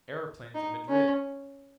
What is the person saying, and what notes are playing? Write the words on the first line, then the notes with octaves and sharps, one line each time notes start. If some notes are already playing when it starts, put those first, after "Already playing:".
Aeroplanes at Madrid!
D#4
C#4